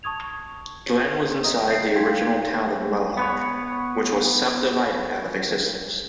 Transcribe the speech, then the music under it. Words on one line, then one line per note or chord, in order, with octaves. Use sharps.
Glen was inside the original Town of Mohawk, which was subdivided out of existence.
A5 C#6 D#6 G#6 F7
D#5 E5 A#5 D#6
G6 C7
D#4 F5 G5 C6 G#6 B6
B3 B4 C#5